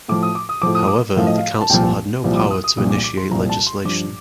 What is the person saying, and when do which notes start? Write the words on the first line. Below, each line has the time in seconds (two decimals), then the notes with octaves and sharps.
However, the council had no power to initiate legislation.
0.08 A2 F3 D6
0.23 D#6
0.35 D6
0.49 D#6
0.62 A2 F3 D6
0.75 D#6
0.87 D6
1.16 A2 F3 F5
1.27 D#5
1.38 F5
1.61 A5
1.70 C2 A#2 F3 G5
2.24 C2 A#2 F3
2.37 D6
2.50 D#6
2.64 D#6
2.77 C2 A#2 F3 D#6
2.91 D6
3.04 D6
3.17 C6
3.31 C2 A#2 F3 A#5
3.49 A5
3.67 C6
3.85 G2 F3 D6